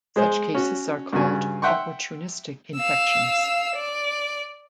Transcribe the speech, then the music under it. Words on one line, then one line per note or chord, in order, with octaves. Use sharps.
Such cases are called opportunistic infections.
G#3 G#4 C5
C#4 F#4
G2 C#3 F#4 G#5
E5 F#5 G5 C6 C#6
F5 E6
D5